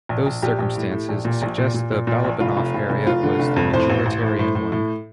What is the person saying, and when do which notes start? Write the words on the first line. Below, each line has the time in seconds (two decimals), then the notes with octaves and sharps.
Those circumstances suggest the Balabanoff area was the majoritarian one.
0.09 A#1
0.26 A#1
0.42 A#1 G4
0.59 A#1
0.76 A2
0.91 A2
1.09 A#1
1.25 A#2
1.42 A#1
1.58 A#2
1.74 A#2
1.92 A#2
2.07 A#2
2.24 A#1
2.40 F1 F4
2.57 F1
2.74 F1
2.90 F1
3.06 F1 F4
3.23 D3
3.40 F1
3.56 F2
3.73 A2 C5
3.90 A1
4.06 A1
4.23 A2
4.39 A2
4.55 A2
4.72 A2